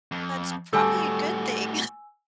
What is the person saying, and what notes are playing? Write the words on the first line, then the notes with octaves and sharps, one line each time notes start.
That's probably a good thing.
F2
A2 G3 F#4 A4 G#5 E6